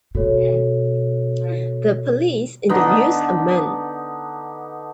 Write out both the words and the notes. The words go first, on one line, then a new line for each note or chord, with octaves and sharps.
The police interviews a man.
B2 F#4 A4 C#5
D3 B3 D#4